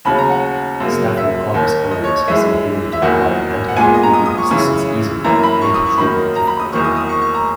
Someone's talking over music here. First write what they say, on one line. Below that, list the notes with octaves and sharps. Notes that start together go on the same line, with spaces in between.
Staphylococcus aureus has the ability to acquire antimicrobial resistance easily, making treatment difficult.
D#2 C#3 F#3 B5
A#5
F#5
F#2 C#3 F#3 A#3
E5
D#2 D#3 A#3
D#5
C#5
C#5
F#2 E3 G#3 E5
E5
E2 D#3 F#3 A#3 F#5
F#5
A#2 G#3 B3 G#5
D#5
A#5
D#6
D#6
C#6
F#2 C#3 E3
F#2 E3 A#3 A#5
B5
C#6
D#6
C#6
F#2 D#3 F#3 A#3 B5
A#5
B5
D#6
E2 D#3 F#3 A#3 C#6
D#6
D#6
C#6
C#6
A#5